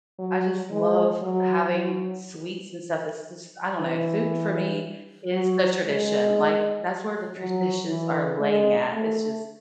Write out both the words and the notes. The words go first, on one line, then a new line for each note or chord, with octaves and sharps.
I just love having sweets and stuff. It's just I don't know, food for me is the tradition, like, that's where the traditions are laying at, it's just,
F#3
G#3
F#3
F#3
E3
F#3
G#3
F#3
E3
G#3
A3